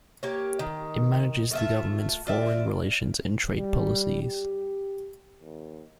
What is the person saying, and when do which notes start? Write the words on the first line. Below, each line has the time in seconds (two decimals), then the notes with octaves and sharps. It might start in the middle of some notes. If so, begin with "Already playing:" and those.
It manages the government's foreign relations and trade policies.
0.23 A#3 G4 C#5
0.59 D#3
1.51 A3 F4 E5
2.27 F4 D5 E5
3.57 G3
4.22 G4
5.42 D#2